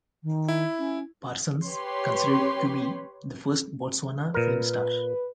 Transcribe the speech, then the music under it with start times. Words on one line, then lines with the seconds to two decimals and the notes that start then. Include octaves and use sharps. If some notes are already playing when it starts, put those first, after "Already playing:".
Parsons considered Kubi the "first Botswana film star".
0.23 D#3
0.48 E4
0.79 C#4
1.65 G4 B4 C#5 C6
4.34 A#2 A#4 B4